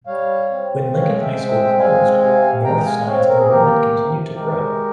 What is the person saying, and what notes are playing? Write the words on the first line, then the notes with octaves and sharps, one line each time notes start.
When Lincoln High School closed, Northside's enrollment continued to grow.
G3 C#5 F5
C4
G#3 C#5 F5
E5 G5
C4
E5 G5
G#3 F5 G#5
C3 F5 G#5
G#3 G5 A#5
F5 G#5
C4 C#5 F5
A#4
G#4
A#3 G4 A#4
C3
G#3 G4 A#4